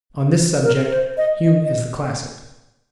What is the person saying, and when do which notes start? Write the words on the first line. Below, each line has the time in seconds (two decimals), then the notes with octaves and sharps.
On this subject Hume is the classic.
0.63 A#4
0.91 C5
1.17 D#5
1.45 D#5
1.65 D#5